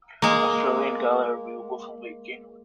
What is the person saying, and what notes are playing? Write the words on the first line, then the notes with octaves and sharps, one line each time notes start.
Australian Gala are available from late January.
G#3 A#3